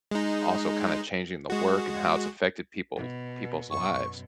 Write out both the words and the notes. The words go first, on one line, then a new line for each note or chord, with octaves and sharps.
also kind of changing the work and how it's affected people people's lives
G#3 D#4
G#3 F#4
B2
F#2 B2 C#6